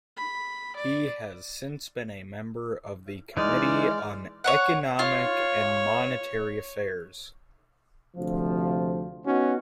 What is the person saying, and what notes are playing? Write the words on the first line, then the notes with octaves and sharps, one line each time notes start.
He has since been a member of the Committee on Economic and Monetary Affairs.
B5
D5
E3 G#3 D#4 D5 F6
C#5 D#5 F#5
F4 C#5
D2 C3 F3
B3 C#4 D#4 F#4